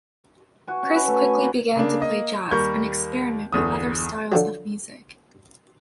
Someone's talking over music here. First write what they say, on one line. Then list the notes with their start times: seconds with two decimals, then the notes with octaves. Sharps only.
Chris quickly began to play jazz and experiment with other styles of music.
0.67 F#4 G#5
0.83 C#4
0.95 B4
1.08 A3
1.22 F#4 G#5
1.39 A#3
1.76 C#3 A#3 D4
2.00 A#3 D#5
2.51 D#2 G3 A#4 C#6 G6
3.52 G1 E2 D#6
4.32 D3 F3 F#3